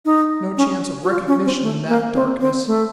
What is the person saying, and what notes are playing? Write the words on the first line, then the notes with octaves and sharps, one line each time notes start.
No chance of recognition in that darkness.
D#4
C#4
F#4
F4
C#4
C4
A3
A#3
C4
C4
A3